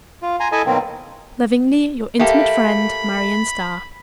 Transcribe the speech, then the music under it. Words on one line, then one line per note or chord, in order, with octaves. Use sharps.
Lovingly, your intimate friend--Marion Starr.
F4
G#5 A#5 C6
E4 A4 D#5 E5 G#5 A5
B2 D#3 F#3 A#3 C4
A3 A#3 G4 B5